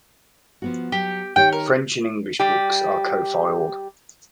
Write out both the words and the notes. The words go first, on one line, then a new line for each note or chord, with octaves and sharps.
French and English books are co-filed.
F3 B3 F#4
F#3 G4
D#3 G4 C#5 G5
A#4
G3 G4